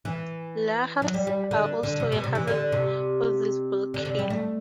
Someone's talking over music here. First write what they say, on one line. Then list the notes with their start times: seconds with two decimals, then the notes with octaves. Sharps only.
Lahars are also a hazard of this volcano.
0.05 E3
1.02 F#3
1.14 G3
1.27 G3
1.51 D3
1.83 D3
2.00 C3
2.12 B2
2.24 C3
2.35 E3
2.47 D3
2.72 C3
3.94 D3
4.05 C3
4.19 G3
4.30 A3